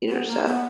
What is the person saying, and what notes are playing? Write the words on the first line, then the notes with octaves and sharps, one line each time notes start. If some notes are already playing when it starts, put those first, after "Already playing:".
Or so
B3
A#3
B3